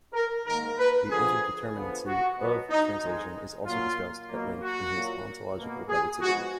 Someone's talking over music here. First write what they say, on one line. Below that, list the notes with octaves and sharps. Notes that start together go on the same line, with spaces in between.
The indeterminacy of translation is also discussed at length in his "Ontological Relativity".
A#4
G#2 D#3 A#3 A#4
B4
F2 D3 F3 G#4
D3 F3 B3
F#4
B2 F#3 B3
D#4
F2 D#3 G#3
A#2 F#3 A#3 F4
B2 F#3 A#3
F#4
A#2 F#3 A#3
B2 A#3
G#4
G#2 F3 G#3 B3 F#4